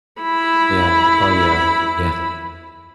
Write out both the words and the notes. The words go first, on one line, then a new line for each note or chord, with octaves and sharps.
Yeah. Oh, yeah. Yeah.
E4 B5